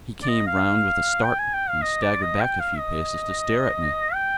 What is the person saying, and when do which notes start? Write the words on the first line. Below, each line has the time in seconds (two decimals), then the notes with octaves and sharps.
He came round with a start, and staggered back a few paces to stare at me.
0.23 D5
0.28 D#5
0.47 F5
1.25 G5
1.39 G#5
1.54 G5
1.69 F5
1.82 D#5
2.02 D5
2.22 D#5
2.40 G5
2.60 F5
2.79 D#5
4.14 G5